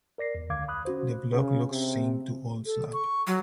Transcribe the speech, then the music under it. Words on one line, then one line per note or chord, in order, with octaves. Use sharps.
The block looks same to Old Slab.
A#4 D5 A#6 C7
E2
C#2 D3 F5 D6 G#6
B5 D#6 F#6
C#4 F#4 C5
C#3
C3
A4
C#6
F#3